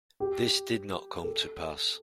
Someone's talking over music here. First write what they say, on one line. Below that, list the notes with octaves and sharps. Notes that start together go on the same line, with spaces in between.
This did not come to pass.
G4
A4